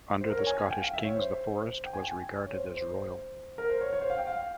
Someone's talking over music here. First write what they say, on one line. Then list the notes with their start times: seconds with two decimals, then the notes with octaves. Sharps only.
Under the Scottish kings the forest was regarded as Royal.
0.21 C5
0.30 A#4
0.38 C#5
0.47 G#5
0.58 G#5
0.70 G5
0.81 F5
0.94 E5
1.05 C#5
1.16 C5
1.86 G5
1.93 G#5
2.02 G5
2.11 G#5
2.46 C#5
2.54 C5
2.65 C5
2.77 C5
3.58 A#4
3.70 C5
3.81 C#5
3.93 C#5
4.01 C5
4.10 F5
4.18 G5
4.27 F5